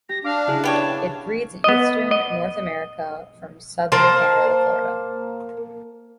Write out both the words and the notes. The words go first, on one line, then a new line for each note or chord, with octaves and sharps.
It breeds in eastern North America from southern Canada to Florida.
G4 A#6
D4 F5 D6
C#3 E4 G#4
B3 G4 C#5 A5
B3 D#5
D#5
A#3 C5 A5